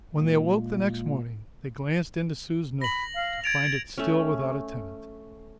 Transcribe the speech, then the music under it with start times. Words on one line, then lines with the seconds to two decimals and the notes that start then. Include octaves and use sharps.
When they awoke the next morning they glanced into Sue's nook, to find it still without a tenant.
0.14 A#2 G#3 A#3
2.81 B5 A#6 F#7
3.15 F5
3.44 G#6 A6 D7 F7
3.98 A3 C#4